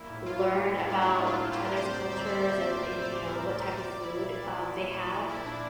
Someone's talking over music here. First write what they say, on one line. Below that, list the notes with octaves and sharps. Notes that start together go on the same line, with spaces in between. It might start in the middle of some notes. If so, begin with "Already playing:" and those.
learn about each other's cultures, and and, you know, what type of food, um, they have,
Already playing: G3 A#3 E4
A2
A2 F4
G3
A#3
A2 D4
A2 E4
D4
G3 E4
A#3 F4
A2
G4
A2 A#4
C3 C5
G3 D5
D2 E5
A#3 D5
C3 E5
G3 D5
D2
A#3 E5
D5
C3 C5
G3 A#4
D2
A#3
C5
F3 D5
A#3
E4
A#2
A#2
F3
A#3
A#2
A#2
F3
A#3 E4
A#2 D4